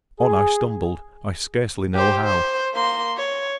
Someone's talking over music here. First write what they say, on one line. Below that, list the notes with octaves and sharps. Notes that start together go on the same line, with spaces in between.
On I stumbled, I scarcely know how.
G#4
G4 C5
C5
A#3 C6
C#5